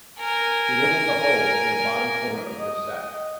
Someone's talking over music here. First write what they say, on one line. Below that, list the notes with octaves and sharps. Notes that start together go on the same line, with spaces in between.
She nibbled a hole in the bottom corner of the sack.
A#4 G#5
D#5